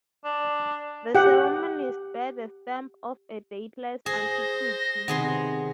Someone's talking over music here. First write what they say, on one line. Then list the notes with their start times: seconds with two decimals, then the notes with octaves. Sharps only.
The ceremonies bear the stamp of a dateless antiquity.
0.25 D4
1.15 G4 F#5
4.06 G#4 C5 A#6
5.08 C3 D#3 B3 G#4 C6